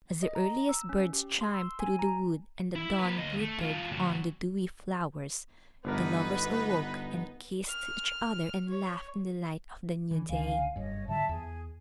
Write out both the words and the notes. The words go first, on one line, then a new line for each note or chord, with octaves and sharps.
As the earliest birds chimed through the wood, and the dawn glittered on the dewy flowers, the lovers awoke and kissed each other and laughed in the light of the new day.
D#5
A#5
E6
C#4
G4
C6
E6
G#5
A#5
E4
A#3 B4
D2 D#5
A3
F#2 F4
D2 F#3
G1 B3 D4 D#4 A#4 B4
F6
C#5
E3
C#2 D3 F5 G#5
F#1 G2 C#5 D#5
G#2 D3 F#3 E5 A5
E2 G#4